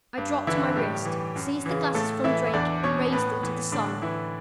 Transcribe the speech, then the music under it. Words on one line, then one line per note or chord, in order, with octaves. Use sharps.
I dropped my wrist; seized the glasses from Drake; raised them to the sun.
G2
D3 E3 E4
A2 G3 G4
E3
F#2
C#3 E3
A2 A3 A4
E3 E4 E5
E5
E2 D4 D5
B2 C#4 C#5
A2 B3 B4
E3
A2 D3 D4
E3 E4